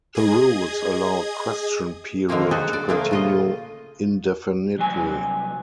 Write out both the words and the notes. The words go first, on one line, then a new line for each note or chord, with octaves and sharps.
The rules allowed question period to continue indefinitely.
G#4 D#5 D#6 G#6
D3 D#3 F3 A#3 C#4
C#4 D#4 F#4 G#4 A4
D3 D5
A#2 F3 A3 A#3 D4 G#4
C#3 F4 D#5
C2 F#3 G#5